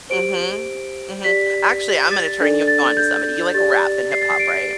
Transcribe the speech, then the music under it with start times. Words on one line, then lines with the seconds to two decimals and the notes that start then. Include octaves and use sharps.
Mhm, mhm. Actually, Imma na turn you on to somebody. You like rap and hip hop, right?
0.10 G4 C5 D7
1.24 G4 D5 B6
2.11 A6
2.40 D4 A4 D5
2.67 A6
2.97 G6
3.54 G4 D5 A6
4.11 C7
4.21 A6
4.30 C7
4.39 D7